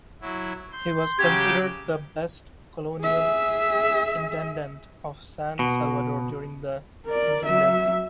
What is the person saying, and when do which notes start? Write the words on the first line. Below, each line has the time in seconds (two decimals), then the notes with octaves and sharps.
He was considered the "best colonial intendant" of San Salvador during the intendancy.
0.21 F#3 E4
0.72 C6 G6
1.19 C#3 F#3 G4 G#6
3.01 G#4 E5
5.59 B2
7.05 A#4 D5
7.46 F#3 E5